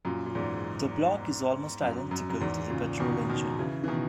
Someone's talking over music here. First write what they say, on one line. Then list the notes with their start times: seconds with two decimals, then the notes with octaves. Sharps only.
The block is almost identical to the petrol engine.
0.05 F#2 A#2
0.26 A#2
0.35 E2 G#2
1.82 F#2
2.11 F#2
2.30 F#2
2.40 E2 G#2
2.70 A#2 C#3
3.00 B2 D#3
3.30 B2 D#3
3.59 C#3 E3
3.84 E3
3.88 B2 D#3